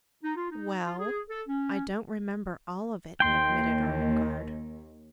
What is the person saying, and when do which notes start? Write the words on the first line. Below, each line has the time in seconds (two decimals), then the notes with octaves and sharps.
"Well, I don't remember all of it," admitted Ermengarde.
0.24 D#4
0.37 F4
0.51 D#4
0.85 F4
0.99 G#4
1.30 A4
1.48 C#4
3.20 D#2 G5 C6